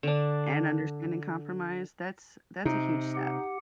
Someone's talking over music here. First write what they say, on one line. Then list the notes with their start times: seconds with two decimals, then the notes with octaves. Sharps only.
and understanding compromise, that's that's a huge step.
0.03 D3 D4
2.65 C3 D#4
3.15 G4 F#5